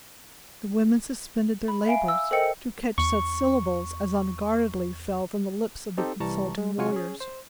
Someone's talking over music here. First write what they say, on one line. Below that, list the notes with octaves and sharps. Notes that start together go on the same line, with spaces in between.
The women suspended their labors, to catch such syllables as unguardedly fell from the lips of the consulting warriors.
B5
E5 F5 G#5 D7
E6
A4 A#4 C5 D#5 G5 C#7
E2 C#6
C4 D#4 G4 A4
C2 E3 G3 A5 A#5 C#6
G#3
C3 F#3 F4 F#4 G#5 C#6
C#4 G#4
C5